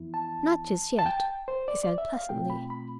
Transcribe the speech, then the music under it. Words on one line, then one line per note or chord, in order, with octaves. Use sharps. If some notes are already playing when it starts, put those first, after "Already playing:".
"Not just yet," he said pleasantly.
Already playing: F2 E3 B3 E4
A5
A5
G5
C5
D5
D5
E5
F5
B2 A3 C4 F4 G5
B5
B5